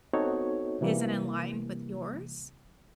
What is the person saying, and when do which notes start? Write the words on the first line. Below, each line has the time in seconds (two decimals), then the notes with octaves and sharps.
isn't in line with yours,
0.13 B3 C4 D#4 F#4 A4 C#5
0.81 C3 E3 G3 A#3